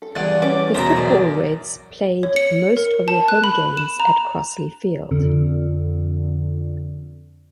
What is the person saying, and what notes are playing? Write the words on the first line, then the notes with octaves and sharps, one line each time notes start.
The football Reds played most of their home games at Crosley Field.
A4
E2 G2 D5 F#5 A6
C#4 B4 D6
E2 B2 A#4 C5 E5 A#5
F#2 D5
C#5
C#7
A#4
A5
F#6
B5
E7
A#5
F2 D3